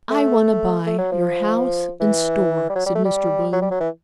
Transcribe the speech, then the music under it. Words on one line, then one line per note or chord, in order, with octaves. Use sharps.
"I want to buy your house and store," said Mr. Bloom.
A3
A3
F#3
F3
E3
G3
F#3
G3
A3
G3
F#3
G3
F#3
E3